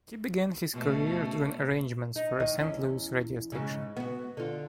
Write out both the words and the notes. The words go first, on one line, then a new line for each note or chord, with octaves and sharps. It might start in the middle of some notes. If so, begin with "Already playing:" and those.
He began his career doing arrangements for a Saint Louis radio station.
B2 A3
D#4
D#3 D#5
E2 C#4 E4
G#2 C#3
B3 F#4
D3 F4